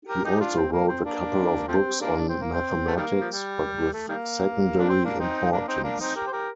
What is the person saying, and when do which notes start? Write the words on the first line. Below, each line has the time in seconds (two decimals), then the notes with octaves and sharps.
He also wrote a couple of books on mathematics, but with secondary importance.
0.09 G4 A#4
0.24 D#4 G4
0.40 D4 F4
0.57 C4
0.72 A#3
0.88 C4
1.04 A#3 D4
1.68 F3 A3 C4
2.00 A#3 D4
2.17 D4
2.28 C4
2.41 A#3
2.52 C4
2.87 A3
2.97 D#3 G3 A#3
3.21 F3
3.28 G3
3.93 A3
4.08 D#3 G3 A#3
4.79 D4
4.88 C4
5.04 A#3 D4
5.20 C4 D#4
5.52 A#3 D4
5.68 C4 D#4
5.84 A#3 D4
6.00 C4 D#4
6.16 G4 A#4
6.27 C5
6.32 G4 A#4